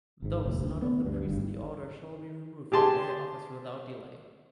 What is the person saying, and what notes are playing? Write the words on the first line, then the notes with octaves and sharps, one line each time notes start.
Those not of the priestly order shall be removed from office without delay.
G#1 G#2
F1 D#2
D2
B3
D2 G2
G#1 G2
G4 G#4 A5 C6